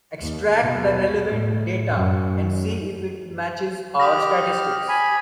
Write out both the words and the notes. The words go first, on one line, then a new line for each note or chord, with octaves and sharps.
Extract the relevant data and see if it matches our statistics.
D#2
B2
A2
F#2
G4 D6 D#6 F6 A#6
G#5 B5